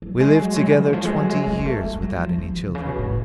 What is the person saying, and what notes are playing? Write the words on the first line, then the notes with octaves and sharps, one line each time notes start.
We lived together twenty years, without any children.
F#3
G#3
F#3
G#3
D3
F3
G#3
F#3
G#3
G#3
A3
G#3
F#3
F3
F3
B2
C#3
B2
A2